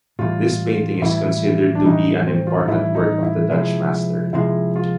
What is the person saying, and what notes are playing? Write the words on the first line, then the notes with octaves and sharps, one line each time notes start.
This painting is considered to be an important work of the Dutch master.
A2 E3 G3 F4
A2 E3 G3 E4
D4
A2 E3 G3 D#4
C4
F4
D#4
A2 E3 G3 E4
D#4
E4
C3 F3 G#3 E4
C3 F3 G#3 E4
F4